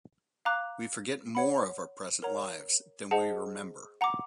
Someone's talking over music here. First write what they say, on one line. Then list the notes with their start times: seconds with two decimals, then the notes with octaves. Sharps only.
We forget more of our present lives than we remember.
0.45 F5 A#5 D6 F#6
1.35 C#5 F#5 B5
2.23 A#4 C#5 F#5 A#5
3.11 G#4 C5 D#5 F#5 A5
4.01 F#5 A#5 D6